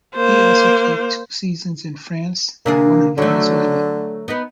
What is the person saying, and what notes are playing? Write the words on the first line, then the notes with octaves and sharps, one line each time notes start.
He also played two seasons in France, and one in Venezuela.
A#3 C5
C3 A#3 D4 G#4
D3 F#3 A3
B3 D#4 B4